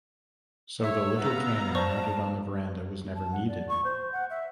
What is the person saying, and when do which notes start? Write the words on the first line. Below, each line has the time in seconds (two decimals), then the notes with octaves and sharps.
So the little cannon mounted on the verandah was never 'needed.
0.84 C#5 E5 E6
1.17 B3 F5 A#5
1.75 C5 D5 A5 C#6
3.15 A5
3.32 F#5
3.48 D5
3.69 C#6
3.84 C5
4.13 F#5
4.30 E5